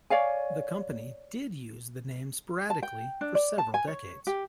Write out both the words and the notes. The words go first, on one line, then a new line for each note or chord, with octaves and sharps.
The company did use the name sporadically for several decades.
C#5 D5 F5 G#5
A5
G5
D4
D5
A5
G#5
C#5
G4